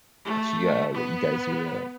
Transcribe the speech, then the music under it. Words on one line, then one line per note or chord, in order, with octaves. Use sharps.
that you, uh, you guys do that.
A3
B3